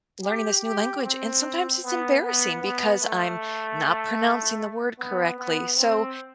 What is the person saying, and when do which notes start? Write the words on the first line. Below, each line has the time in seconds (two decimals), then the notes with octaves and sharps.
learning this new language, and sometimes it's embarrassing, because I'm not pronouncing the word correctly, so
0.23 G4
0.64 G4
1.03 C4
1.82 B3
2.22 B3
2.61 B3
3.01 A3
4.98 B3
5.38 B3
5.77 C4